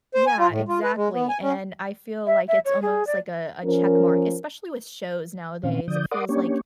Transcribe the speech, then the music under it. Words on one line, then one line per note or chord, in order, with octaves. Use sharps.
Yeah, exactly, and I feel like it's almost, like, a a check mark, especially with shows nowadays, it feels like
C5
G#5
F4
A2
F4
B4
G#3
B3
G#5
C#4
E5
E5
C#5
G#4
D5
F3 C#4 A#4
A#2 D#3 C4 C#4 F5
D3 F3 D5 D#6 G6
A#4 D5 F#5 C6 D6 D#6
A#3 C#4 D4 G4 C#5